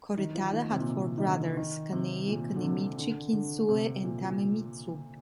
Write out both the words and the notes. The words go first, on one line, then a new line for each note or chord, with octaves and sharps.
Koretada had four brothers: Kaneie, Kanemichi, Kinsue, and Tamemitsu.
D#3
F3
D#3
C3
A#2
C3
D#3
D3
D#3
C3
A#2
D3
C3
D3
D3
C3
A#2
A#2